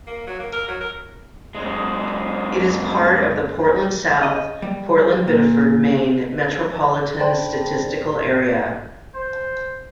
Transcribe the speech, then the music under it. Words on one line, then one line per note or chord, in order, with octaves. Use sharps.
It is part of the Portland-South Portland-Biddeford, Maine, metropolitan statistical area.
A#3
F#3
A#3
A#4
F#3
A#4
F#2 G#3
D#5
G3
A#2
C5 D5 G5 A5 B5 C6
C5